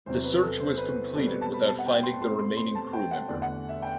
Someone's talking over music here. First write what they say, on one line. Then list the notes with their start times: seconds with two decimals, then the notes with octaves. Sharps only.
The search was completed without finding the remaining crew member.
0.06 E2 C3 F#3 C4 C5
0.24 B4
0.42 A4
0.60 C5
0.77 B4
1.14 B2 G3 C4 A4
1.27 B4
1.41 A5
1.54 B5
1.68 A5
1.79 F#5
1.86 G5
2.03 C6
2.21 B2 A3 C4 C6
2.39 C6
2.57 C6
2.75 A5
2.93 G5
3.11 F#5
3.28 E2 D3 A3 D5
3.42 F#5
3.69 E5
3.82 G5